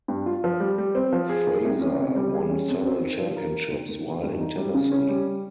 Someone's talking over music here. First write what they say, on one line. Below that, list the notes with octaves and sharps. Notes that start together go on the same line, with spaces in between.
Fraizer won several championships while in Tennessee.
G2
F4
F3
G3
G3
C4
F3
G#4
A#3
C2
C#4
C3
G3
G#4
C#4
F2
C4
D#3
F3
A#4
A#3
D#2
D#2
D#3
G2
D#4
G3
C#3
C#4
G3